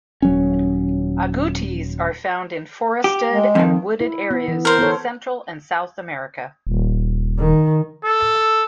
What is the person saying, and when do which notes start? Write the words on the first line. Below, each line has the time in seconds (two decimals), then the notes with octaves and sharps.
Agoutis are found in forested and wooded areas in Central and South America.
0.22 D#1 F#3 C#4
3.04 G4
3.32 G#3
3.55 F2 D#3
4.00 E4
4.31 B3
4.48 E3
4.65 A#4 C5
4.79 B3 A4 C#5
6.67 D#1
7.38 D#3
8.05 A4